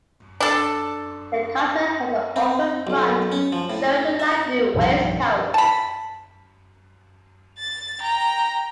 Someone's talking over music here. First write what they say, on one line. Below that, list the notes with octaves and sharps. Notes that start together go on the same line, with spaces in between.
The kaftan had an open front, showing a light blue waistcoat.
D4 A4
C4
B1
C#4
F3
A2
E5
B1 G2 D#3 F3
A5 B5
A6
G5 A#5